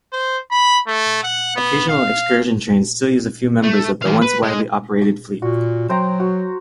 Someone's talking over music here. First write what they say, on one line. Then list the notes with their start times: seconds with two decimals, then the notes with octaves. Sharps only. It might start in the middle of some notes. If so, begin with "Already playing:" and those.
Occasional excursion trains still use a few members of the once widely operated fleet.
0.12 C5
0.51 B5
0.87 A3
1.24 F#5
1.56 B3
1.89 F5
3.63 A3
4.02 E3 F5
4.22 B4
4.43 G#3
5.42 A#2 F#4
5.89 F#3 C5 G5 A#5
6.20 F#4